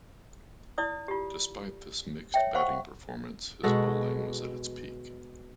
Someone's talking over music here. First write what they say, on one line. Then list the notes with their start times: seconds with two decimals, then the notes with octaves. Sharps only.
Despite this mixed batting performance, his bowling was at its peak.
0.78 E4 D5 D#6
1.08 F4 G4
2.34 C#5 E5 G5
2.54 C5 F5 F#5 C6 C#6
3.63 B2 G#3 F#4 A4